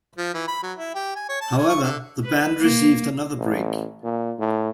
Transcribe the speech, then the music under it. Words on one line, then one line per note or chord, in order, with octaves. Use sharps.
However, the band received another break.
F3
E3
B5
F#3
E4
G4
G#5
C#5
A5
C#4
C#6
D3
B4
A#3
A1
A#2
A2